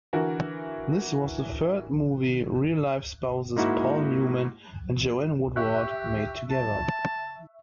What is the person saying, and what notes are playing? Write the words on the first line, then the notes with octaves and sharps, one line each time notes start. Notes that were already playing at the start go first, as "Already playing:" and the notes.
This was the third movie real-life spouses Paul Newman and Joanne Woodward made together.
D3 E3 F#4 A#4
G#2 A#3 D#4 E4 F#4
G4 E5 C#6 F#6
A5